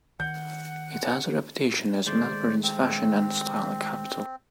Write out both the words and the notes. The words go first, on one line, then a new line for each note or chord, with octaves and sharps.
It has a reputation as Melbourne's fashion and style capital.
D#3 F#5 G6
D#3 G#3 A3 C5 D5
C4